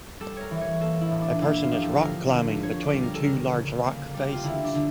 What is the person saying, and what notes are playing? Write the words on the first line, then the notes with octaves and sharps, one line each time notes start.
A person is rock climbing between two large rock faces.
G3 A4
A#4 C#5
E3
C#5
A#3 A4
E4
A2
D4
A#3 E4
E4
F4
F3 G4
A4
D3 A#4
D3
A#3 C#5
D5
G3
A#4
A4
C#3 A#4
C#3
A#3
G3
G4
F4
D3 E4
D4
D3